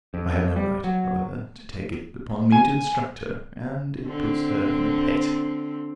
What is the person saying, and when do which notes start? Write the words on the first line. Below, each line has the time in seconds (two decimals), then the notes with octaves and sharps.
I have no right, however, to take it upon me to instruct her, and it puts her in a pet.
0.14 F2
0.56 G3
0.84 F#3
2.52 G#5
4.06 D3 C4